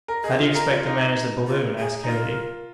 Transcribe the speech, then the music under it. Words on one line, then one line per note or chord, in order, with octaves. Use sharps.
"How do you expect to manage the balloon?" asked Kennedy.
A#4
G#4 D#5
F4
A#4
F4
D#4
F4
G#4
D#4
F4 A#4